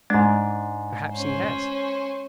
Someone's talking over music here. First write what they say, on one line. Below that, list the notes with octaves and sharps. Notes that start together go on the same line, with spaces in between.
Perhaps he has.
G#2 G#3 D4
C#4 C5